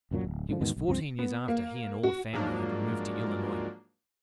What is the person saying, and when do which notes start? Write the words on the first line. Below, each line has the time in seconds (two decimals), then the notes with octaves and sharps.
It was fourteen years after he and all the family had removed to Illinois.
0.11 C2 F#2 A#2 F#3
0.24 D1
0.49 G#2 D3 F3
0.61 E2 G#2 B2 D#3
0.76 B1
0.88 C#2 G2 F3 C4
1.19 B3
1.48 A#3
2.03 F#4
2.33 G#2 F3 F#3 A#3 D4